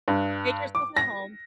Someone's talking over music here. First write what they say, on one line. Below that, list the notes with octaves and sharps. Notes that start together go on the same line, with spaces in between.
"Make yourself at home."
G2
D6
A#6